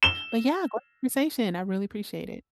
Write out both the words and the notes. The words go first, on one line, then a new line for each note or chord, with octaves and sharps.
But, yeah, gr conversation. I really appreciate it.
E7 G7